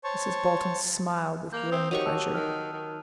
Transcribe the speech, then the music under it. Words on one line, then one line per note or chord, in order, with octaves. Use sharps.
Mrs. Bolton smiled with grim pleasure.
C5 C#5 A5 C#6
A#3 G6 F7
C4 D#6
D#3 F#3 G4 C#6 D#7 F7
A5 E6 F#6
D#3 F6
D#3